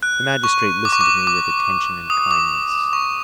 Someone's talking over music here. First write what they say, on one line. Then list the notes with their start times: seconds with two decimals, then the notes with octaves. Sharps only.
The magistrate listened to me with attention and kindness.
0.03 F#6
0.44 C#6
0.85 D6
0.92 C#6
1.01 D6
1.27 D6
2.10 D#6
2.31 D6
2.93 C#6